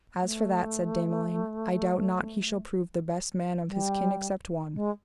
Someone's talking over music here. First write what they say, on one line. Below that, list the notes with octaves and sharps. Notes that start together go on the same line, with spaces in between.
As for that, said Dame Elaine, I doubt not he shall prove the best man of his kin except one.
A3
G3
G#3